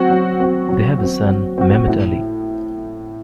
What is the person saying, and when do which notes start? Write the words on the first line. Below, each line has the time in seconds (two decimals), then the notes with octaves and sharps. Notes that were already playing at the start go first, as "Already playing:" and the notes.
They have a son Mehmet Ali.
Already playing: F#3 C4 F#4
0.10 F#3
0.40 C4 F#4
0.69 F#3
0.98 F#4
1.03 C4
1.28 F#3
1.58 C4 F#4
1.88 A2